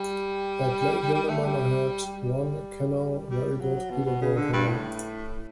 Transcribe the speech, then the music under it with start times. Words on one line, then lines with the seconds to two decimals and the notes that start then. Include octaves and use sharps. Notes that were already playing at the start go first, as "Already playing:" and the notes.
At Lake Linderman I had one canoe, very good Peterborough canoe.
Already playing: G3
1.15 G3
1.29 A3
1.45 G3
2.06 G3
3.30 G3
3.61 F#3
3.91 B2
4.06 B2
4.22 C#3
4.37 D3
4.53 G2
4.68 A2